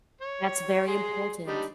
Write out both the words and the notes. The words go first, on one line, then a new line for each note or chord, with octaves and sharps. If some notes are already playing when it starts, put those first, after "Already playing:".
That's very important.
C#5
G#4 C6
G3 D4 D#4